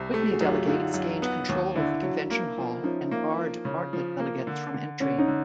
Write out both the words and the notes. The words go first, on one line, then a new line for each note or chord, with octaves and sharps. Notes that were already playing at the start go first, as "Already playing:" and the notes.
Whitney delegates gained control of the convention hall and barred Bartlett delegates from entry.
Already playing: C2 C3
A3 G4 A4
F#4 G#4
F#2
F4 G4
D3 D#4 F4
F#2
B3
D#2
D3 D4 E4
F#3
A#3
F3
F3 C#4 D#4
A#3
F3
C#3
F3
A#3
D3
D3
D3 C#4
C#4 D#4
D3